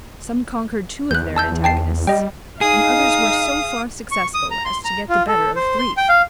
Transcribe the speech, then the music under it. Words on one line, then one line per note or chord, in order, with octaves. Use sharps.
Some conquer'd two of their Antagonists, and others were so far successful as to get the better of three.
E2 F#6 G6
A5 E6 G6
G5 A5 C7
G3 D#5 G5
D#4 G#4 F5 D#6
C#6
D#6
A#5
C6
A#5
F4
A4
C5
C6
G5
F5